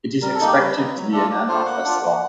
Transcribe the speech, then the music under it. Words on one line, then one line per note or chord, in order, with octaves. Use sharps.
It is expected to be an annual festival.
G3 A#4
A4
A#3 D#4
G4
G3 B4
A#3 D#4
F#3
A3 D4 F4 A4
F#3 D5
A3 D4 F4 C5
A#3 F#5
D4 F4
A#3